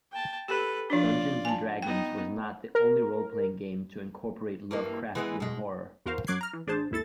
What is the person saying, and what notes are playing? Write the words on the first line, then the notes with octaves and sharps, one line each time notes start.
"Dungeons and Dragons" was not the only role-playing game to incorporate Lovecraftian horror.
G5 A5
G4 A4 B4
F3 D4 F4 D5
G#5 A5
B3 D#4 G5
A#4
G2 E3 A#3
E3 G#3 B3
B2 G#3
E2 F#4 A#4 C5 F5
F#2 F#3 D6 F#6 G#6 C7
A#5 F6
E3
A1 D4 G#4 C5 A5
G#1 D#2 E4 A4 A6